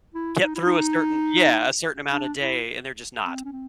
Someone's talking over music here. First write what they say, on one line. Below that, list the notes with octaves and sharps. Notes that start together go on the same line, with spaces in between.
get through a certain yeah, a certain amount a day and they're just not.
E4
D#4
E4
D#4
D4
E4
C4
C#4
C4